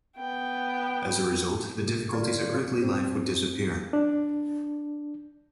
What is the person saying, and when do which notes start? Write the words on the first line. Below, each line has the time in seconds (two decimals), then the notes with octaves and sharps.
As a result, the difficulties of earthly life would disappear.
0.17 B3 G5
1.76 C3
2.13 D3 A#3 F4 A#4 C#5 D5
2.82 C4
3.93 D4